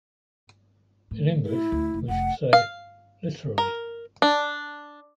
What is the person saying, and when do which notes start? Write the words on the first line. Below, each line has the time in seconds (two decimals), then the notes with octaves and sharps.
In English, we should say 'literally'.
1.11 A2
1.47 E4
1.72 D2
1.94 F1
2.08 F1 F#5
2.53 F5
3.58 A#4
4.22 D4